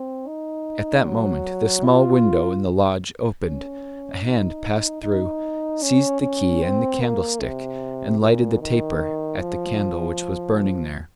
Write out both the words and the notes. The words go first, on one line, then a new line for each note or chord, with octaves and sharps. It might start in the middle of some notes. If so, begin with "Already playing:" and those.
At that moment the small window in the lodge opened, a hand passed through, seized the key and the candlestick, and lighted the taper at the candle which was burning there.
Already playing: C4
D#4
F#3
F4
C#4
D#4
D#4
C#4
C#4
C4
A#3
C3
A#2
D#3
F3